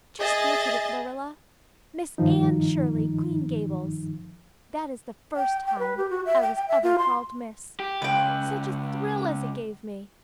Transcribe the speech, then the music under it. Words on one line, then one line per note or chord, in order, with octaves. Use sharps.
Just look at it, Marilla. 'Miss Anne Shirley, Green Gables.' That is the first time I was ever called 'Miss.' Such a thrill as it gave me!
G#4 D#5 E5 G#5 A6
G2 D#3 F3 D#4
G5
G5
B4
G4
F#4
E5
G5
G5
E5
F4
C6
G4
C#2 B4 G5